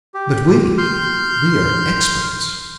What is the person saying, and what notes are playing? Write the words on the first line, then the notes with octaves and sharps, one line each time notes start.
But we! we are experts.
G4
C6 F6 G6